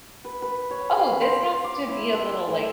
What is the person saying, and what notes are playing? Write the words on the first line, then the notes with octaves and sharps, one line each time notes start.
"Oh, this has to be a little, like"
B4
B4
C#5
F5
C5
D6
E4
A4
A2